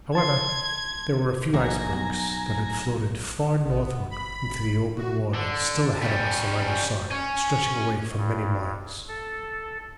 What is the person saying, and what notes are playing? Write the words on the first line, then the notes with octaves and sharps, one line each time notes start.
However, there were a few icebergs that had floated far northward into the open water still ahead of us on either side, stretching away for many miles.
A5 C6 G#6
A#1 A2 G#5 A#5
B1
A1 B3
B2
G1 B5
F#4
D3
G3 C#4
C#4
G2
A4